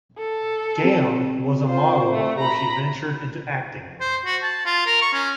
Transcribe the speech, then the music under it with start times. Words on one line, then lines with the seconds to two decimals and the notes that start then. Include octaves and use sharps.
Gam was a model before she ventured into acting.
0.18 A4
0.84 C4 G4
1.66 F4 C5
2.11 A3
2.39 A#5 B5
4.00 C5
4.25 F#4
4.43 A5
4.66 F4
4.86 A#4
5.02 C#6
5.14 C#4